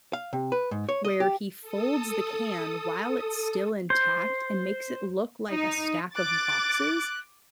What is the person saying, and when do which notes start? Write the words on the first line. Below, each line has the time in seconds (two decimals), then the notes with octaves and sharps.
where he folds the can while it's still intact and makes it look like a stack of boxes,
0.13 F5
0.33 C3
0.52 B4
0.71 G#2
0.89 C#5
1.05 D#5
1.20 G4
1.62 A4 D#6
3.90 C5
5.49 D#4
6.16 D6 F#6 A6